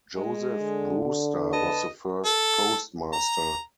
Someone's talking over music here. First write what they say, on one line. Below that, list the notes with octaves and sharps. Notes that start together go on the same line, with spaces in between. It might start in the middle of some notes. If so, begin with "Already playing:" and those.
Joseph Brewster was the first postmaster.
G#3
D3
B4 D#5 A5
A4
A#5